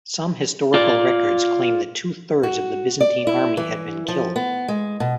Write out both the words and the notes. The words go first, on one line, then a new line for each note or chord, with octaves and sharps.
Some historical records claim that two thirds of the Byzantine army had been killed.
F4 D5
F#4
D5
E4
E3
F3
B3
G#3
B2